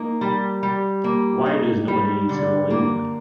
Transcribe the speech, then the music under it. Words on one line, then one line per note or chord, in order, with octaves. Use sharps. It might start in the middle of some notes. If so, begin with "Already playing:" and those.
Why does nobody eat semolina?
Already playing: A#3 D#4
G3
G3
A#3
D#4
G3
D3
A#3